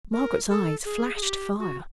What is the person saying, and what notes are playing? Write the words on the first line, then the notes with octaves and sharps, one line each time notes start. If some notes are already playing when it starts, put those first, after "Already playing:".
Margaret's eyes flashed fire.
A#4
A4
G#4
G#4
G4
F#4